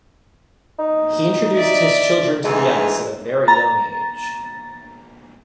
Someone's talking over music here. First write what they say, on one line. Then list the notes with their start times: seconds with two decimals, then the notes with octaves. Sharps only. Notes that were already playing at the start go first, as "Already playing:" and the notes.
He introduced his children to the ice at a very young age.
0.79 D#4
1.54 D5 E5
2.44 D2 G#2 E3 G#3
3.48 A#5 A6